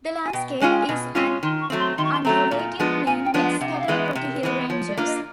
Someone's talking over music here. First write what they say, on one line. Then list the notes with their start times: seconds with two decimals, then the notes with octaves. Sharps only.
The landscape is an undulating plain with scattered rocky hill ranges.
0.25 G#5
0.33 B2 G5
0.61 G#3 C#4 F4 G#5
0.70 G5
0.80 G#5
0.89 B2
1.15 G#3 C#4 F4
1.43 D#3 C6
1.61 C#6
1.70 F#3 A3 C4
1.79 C6
1.98 D#3 C6
2.05 C#6
2.12 C6
2.25 F#3 A3 C4 A#5
2.51 A#2
2.79 F3 G#3 B3 D4
3.06 A#2 G#5
3.25 G5
3.34 F3 G#3 B3 D4 F5
3.42 F#5
3.60 C3 F#5
3.73 F#5
3.79 F5
3.88 E3 G#3 B3
3.98 E5
4.15 C3
4.28 A#4
4.34 B4
4.43 E3 G#3 B3
4.51 C5
4.70 F3 C#5
4.88 D5
4.97 A#3 D4 F4
5.07 D#5